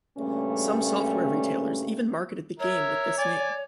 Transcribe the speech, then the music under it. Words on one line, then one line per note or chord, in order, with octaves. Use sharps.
Some software retailers even marketed the game with this name.
G2 A#2 C#3 G3 A3 C#4
A#4 C#5 E5
D5 G#5